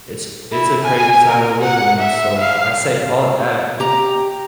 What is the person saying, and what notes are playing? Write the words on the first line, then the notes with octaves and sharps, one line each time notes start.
It's it's a crazy time we're living in, so, I say all that
E4
G#5
A#4
F#5
E5
F5
G4 A#5